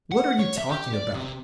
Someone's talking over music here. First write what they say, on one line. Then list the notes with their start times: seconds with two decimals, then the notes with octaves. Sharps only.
What are you talking about?
0.12 F#5
0.40 C#5
0.58 E5
0.70 G4
0.94 D5
1.13 C3